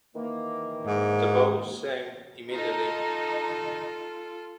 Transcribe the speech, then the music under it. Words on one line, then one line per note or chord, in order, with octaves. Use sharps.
The bow sank immediately.
D#3 E3 A#3
G#2
D#4 F4 A4